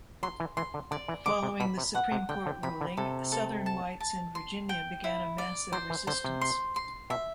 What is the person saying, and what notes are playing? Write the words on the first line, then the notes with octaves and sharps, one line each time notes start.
Following the Supreme Court ruling, Southern whites in Virginia began a Massive Resistance.
F#3 C6
E3
E3 C6
D3
D3 D5
E3
D3 D6
C3
B2 B5
C3
B2 F#5
C3
D3 G5
D3
C3 B5
D3
C3 A4
A4
A5
A5
C6
G5
E4
D5
F#3 C5
E3
D3 C5
C3
C6
C6
B2 E5